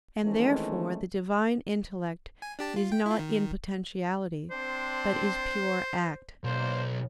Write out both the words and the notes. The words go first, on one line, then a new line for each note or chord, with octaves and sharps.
And therefore the Divine intellect is not in potentiality, but is pure act.
D#3 E3 G#3 A3 C4 C#4
G#5
D4 G4 A5
F4
G5
E4 F4
D#3
C4 D4 C5
B1 A#3 D4 C5